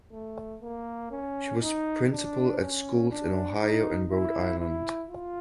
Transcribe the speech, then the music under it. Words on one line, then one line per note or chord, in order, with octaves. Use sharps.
She was principal at schools in Ohio and Rhode Island.
A3
A#3
C#4
D#4
D4
C#4
D4
D#4
E4
E4
F4